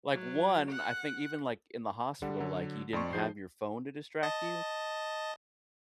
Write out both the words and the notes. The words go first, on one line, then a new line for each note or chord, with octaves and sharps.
Like one I think even like in the hospital, like you didn't have your phone to distract you,
F#3
F#5
D3 G3 F#5
D3 F#3
F2 D5 C6 C#6
F3 D#4 G#4 C5 G6 C7
D#5 A5